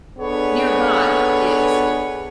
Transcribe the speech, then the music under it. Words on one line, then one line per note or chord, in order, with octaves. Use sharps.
Nearby is.
B3 D4 G#4 A4 B4 C#5